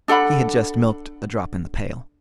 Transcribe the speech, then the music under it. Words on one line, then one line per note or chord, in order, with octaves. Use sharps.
He had just milked a drop in the pail.
D4 A4 F#5 B5